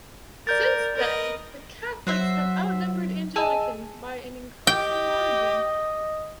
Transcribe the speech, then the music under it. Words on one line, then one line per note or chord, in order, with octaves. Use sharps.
Since then Catholics have outnumbered Anglicans by an increasing margin.
A#4 D5 G6 A6
A#4 B4 D#5
F#3 F#4 C5 E5
G#4 D#5 G#5 A5 E6
G4 D#5 G5